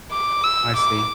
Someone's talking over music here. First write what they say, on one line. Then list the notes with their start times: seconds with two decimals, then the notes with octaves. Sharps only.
I see.
0.11 D6
0.44 E6
0.76 D6